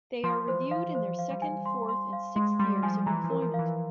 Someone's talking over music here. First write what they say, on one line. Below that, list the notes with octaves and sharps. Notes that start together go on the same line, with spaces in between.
They are reviewed in their second, fourth, and sixth years of employment.
F3 C6
E3 C5
F3 F5
F3 C5
F5
G3
G#5
C6
C6
F5
G#3 C6
G3 C6
F3 G#5
E3 A#5
F3
A#4
F3
F5
E3